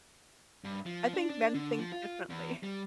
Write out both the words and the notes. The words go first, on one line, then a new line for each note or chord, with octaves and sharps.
I I think men think differently.
G2
F3
D4
D4
D3
F3
F4
E2
G3